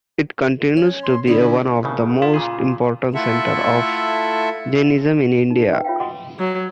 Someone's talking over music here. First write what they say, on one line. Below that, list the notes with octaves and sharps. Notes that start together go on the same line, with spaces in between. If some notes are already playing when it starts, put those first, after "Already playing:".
It continues to be one of the most important centers of Jainism in India.
C#4
C6
D3 B3 D4 E4
G#1 A2 C#3
F4
A#2 C#3 G#4
A3 E4 F4 A4 E5 F#5
D#4
C#4 B4 G5
F4 C#5 E5 F5 G5
F#4 D#5 F#5 D6 D#6
F#3